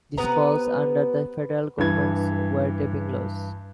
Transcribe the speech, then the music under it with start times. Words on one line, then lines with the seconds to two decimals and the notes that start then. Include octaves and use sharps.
This falls under the federal government's 'wire tapping' laws.
0.17 C3 B3 B4 A#5
1.78 G2 E3 G#6